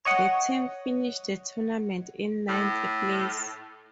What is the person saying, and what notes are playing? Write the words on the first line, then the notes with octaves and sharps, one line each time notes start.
The team finished the tournament in ninth place.
C#5 D#5 F#5
A2